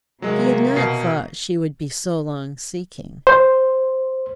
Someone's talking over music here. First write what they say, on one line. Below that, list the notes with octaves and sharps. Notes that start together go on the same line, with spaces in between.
He had not thought she would be so long seeking.
C3 D#3 F#3 G#3 A#3
B2 C7
C5